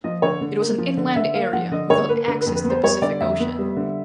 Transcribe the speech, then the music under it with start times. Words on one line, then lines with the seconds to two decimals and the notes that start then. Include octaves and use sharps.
It was an inland area, without access to the Pacific Ocean.
0.04 F3 D#5
0.22 D3 C#5
0.41 D3
0.60 A#3
0.78 F3
0.97 D3
1.16 D3 E5
1.34 A#3 F5
1.53 F3 F#5
1.72 D3 D#5
1.90 D3 C#5
2.09 A#3 B4
2.27 D3 B4
2.41 F2 B4
2.56 B4
2.64 B3
2.70 C5
2.83 G3 C#5
3.02 D3 D5
3.21 F2 E5
3.40 B3
3.58 G3
3.76 D3